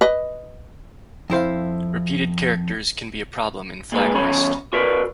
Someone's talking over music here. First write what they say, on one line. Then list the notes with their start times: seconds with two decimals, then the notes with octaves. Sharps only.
Repeated characters can be a problem in flaghoist.
0.01 B4 D#5
1.30 F2 E4 C5 F5
3.92 A#2 G#3 B4
4.14 E2 C#4 C#5 B5
4.73 F#4 A#4 B4 D5